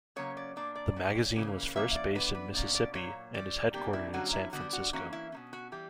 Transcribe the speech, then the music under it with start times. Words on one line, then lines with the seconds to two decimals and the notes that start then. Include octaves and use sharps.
The magazine was first based in Mississippi and is headquartered in San Francisco.
0.16 C#3 F#3 A#3 C#4 C#5
0.37 D5
0.56 A#2 A#3 D4 D5
0.75 D5
0.96 A#2 F#3 C#4
1.36 C#3 E3 A#3 C#4
1.75 E3 A#3 C#4 E5
1.95 D5
2.15 E3 B3 D4 B4
2.35 B4
2.54 B2 A#3 C#4 D5
2.75 D5
2.94 A#2 F#3 A#3 C#5
3.34 E3 G3 C#4 D5
3.74 B2 G3 A#3 D4 G4
3.93 E4
4.13 D3 F#3 A#3 C#4 F#4
4.33 E4
4.53 D3 G3 B3 D4 F#4
4.73 F#4
4.93 E3 A#3 C#4 F#4
5.13 E4
5.32 B2 A#3 C#4
5.53 F#4
5.72 E3 G3 G4